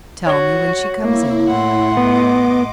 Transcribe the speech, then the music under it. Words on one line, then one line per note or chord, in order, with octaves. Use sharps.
"Tell me when she comes in--."
F#4 C#5
A#3 E4
A2 F#5 C6
B3 D#5 D6